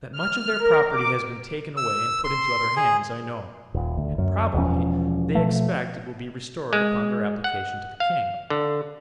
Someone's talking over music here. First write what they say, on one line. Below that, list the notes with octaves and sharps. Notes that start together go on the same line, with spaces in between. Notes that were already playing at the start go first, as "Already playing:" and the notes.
That much of their property has been taken away and put into other hands, I know; and probably they expect it will be restored upon their application to the king.
F6
A#4
D6
E6
C6
G#4
D#1
D2
F#2
E1 E2 F3 C#4
B2 F3 A3
G#3
F#5
F5
D3